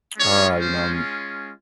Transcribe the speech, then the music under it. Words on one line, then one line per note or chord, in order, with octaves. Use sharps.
Uh, you know, um
G#3 C#4 F4 C#5
C5